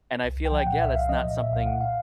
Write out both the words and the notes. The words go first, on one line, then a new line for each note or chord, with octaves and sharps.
and I feel like, yeah, that's not something
C2
C2
G5
F3
A#2 F#5
C2 E5
C2 F5
F3 D#5
A#2 D#5
A#2 E5
C2 F5
A#2 F#5
F5